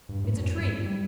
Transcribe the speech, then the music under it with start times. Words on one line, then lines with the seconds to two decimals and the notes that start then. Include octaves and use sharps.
"It's a tree."
0.09 G2
0.24 A2
0.39 F#2
0.54 G2
0.85 G3